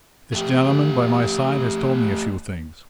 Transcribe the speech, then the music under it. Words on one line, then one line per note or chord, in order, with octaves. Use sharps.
This gentleman by my side has told me a few things.
A3 G4